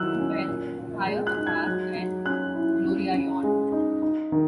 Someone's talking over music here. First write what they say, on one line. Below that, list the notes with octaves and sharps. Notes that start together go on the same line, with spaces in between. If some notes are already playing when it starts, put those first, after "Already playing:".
"Well, hire a car, and — " Gloria yawned.
Already playing: D#3 F#3 E4 E6 F#6
C#4
A#2
A#2
G#3
F#6
D#4
G#6
F#3 F#6
F#3
C#4 F#6
E4
C#3
C#3
G#3
D#4
D#4
D#3